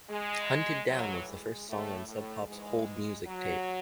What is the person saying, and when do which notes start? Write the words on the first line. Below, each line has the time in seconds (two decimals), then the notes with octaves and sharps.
"Hunted Down" was the first song on Sub Pop's "hold music" tape.
0.09 G#3
0.88 A2 E3 F#3
1.28 G#3
1.68 A2 A3
2.07 A2 A3
2.47 G#2 E3 G#3
3.27 F#3